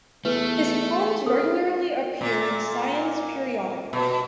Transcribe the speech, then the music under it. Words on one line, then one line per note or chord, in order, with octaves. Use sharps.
His columns regularly appear in science periodicals.
E2 A3 B4
C#3 G#4 A#4 D#6
A#2
B2